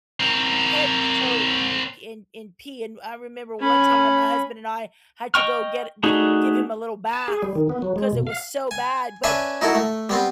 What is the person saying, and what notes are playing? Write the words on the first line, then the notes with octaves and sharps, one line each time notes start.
head to toe in in pee in in pee, and I remember one time my husband and I had to go get gi give him a little bath, 'cause it was so bad, but
C4 A#4
C#4 B5
D#5 G5 C#6 F6
A3 D4 D#4 F#4 G#4
A5
G#4
G3
D#3
B3
F#3
G#3
B2
F5
G#5
C#4 D4 B4 E5 G#5
D#4 E4 F#4 A4
A3
G3 B3 C4